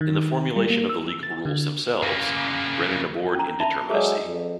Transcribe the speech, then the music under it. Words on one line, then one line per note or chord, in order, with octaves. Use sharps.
In the formulation of the legal rules themselves, Brennan abhorred indeterminacy.
D#3
G3
A#3
E6
A6
D3
C#3 A#3
C#4 A#5
E5 A5 B5
F#3 G#3 G#4 A4 D5 E5
F2